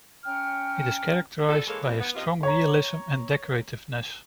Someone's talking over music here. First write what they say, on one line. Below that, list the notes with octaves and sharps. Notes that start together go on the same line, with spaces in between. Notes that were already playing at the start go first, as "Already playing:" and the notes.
It is characterized by a strong realism and decorativeness.
C#4 G5 A#5 F6
G2 A#2 D3 A4
E3 G#3 A#3 A4 A#4 C#5
E3 F3 G3 A#3 C4
B3
F#2 C3 D#3 F4 D#5
C#5 A#5